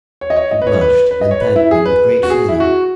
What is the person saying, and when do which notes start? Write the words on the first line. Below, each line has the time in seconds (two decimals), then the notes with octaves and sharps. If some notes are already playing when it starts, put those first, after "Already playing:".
She blushed, and thanked me with great feeling.
0.21 C#5
0.30 D#5
0.36 C#5
0.51 D#5
0.62 B4
0.67 C#5
0.81 B4
1.11 B4
1.21 D#5
1.31 C#5
1.41 B4
1.56 E4
1.71 G#4
1.86 B4
2.23 F#4
2.30 G#4
2.49 E4
2.60 F#4